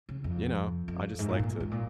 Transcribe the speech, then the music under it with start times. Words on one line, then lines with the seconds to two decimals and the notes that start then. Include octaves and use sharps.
you know, I just like to
0.09 C#3
0.24 F2
0.88 F2
1.19 G#2
1.29 A#2
1.39 A#2
1.60 G#2
1.71 A#2